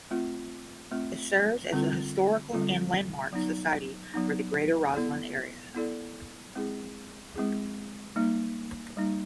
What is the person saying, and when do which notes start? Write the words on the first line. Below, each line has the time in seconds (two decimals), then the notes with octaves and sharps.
It serves as the historical and landmark society for the Greater Roslyn area.
0.11 A3 C4 F4
0.91 A3 C4 F4
1.73 D3 G3 C4 F4 A4
2.53 D3 G3 C4 F4 A4
3.33 F#3 B3 D#4
4.14 F#3 B3 D#4
4.94 B3 E4 A4 D5
5.75 B3 E4 A4 D5
6.55 G#3 C4 E4 G#4
7.36 G#3 C4 E4 G#4
8.16 G3 A#3 D#4
8.97 G3 A#3 D#4